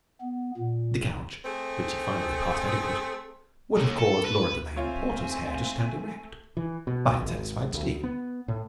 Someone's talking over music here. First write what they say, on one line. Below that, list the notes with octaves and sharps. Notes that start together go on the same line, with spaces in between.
The couch which he finally passed adequate would have caused Lora Delane Porter's hair to stand erect, but it satisfied Steve.
B3
A#2
A3 C4 G#4
D#2
A4
B4
A3 C4 F4 C#5 E5 G#5
E3
B2
G#1
D2
B3
A2